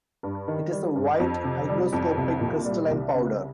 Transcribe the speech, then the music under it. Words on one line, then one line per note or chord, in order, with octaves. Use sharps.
It is a white, hygroscopic crystalline powder.
G2
D#3
G3
G2
F2
C3
G3
F2
C2
A#2
G3
C2
C#3